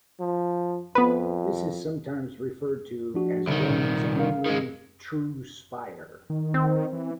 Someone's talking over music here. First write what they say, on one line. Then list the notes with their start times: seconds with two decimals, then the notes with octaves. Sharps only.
This is sometimes referred to as Wren's only "true spire".
0.20 F3
0.95 F2 B3 B4
3.14 F3 D4 F#4
3.47 C2 D3 D#3
3.70 A#2
4.19 A#4 F5
4.46 D#3 G#3
6.30 D#3
6.54 C4
6.93 E3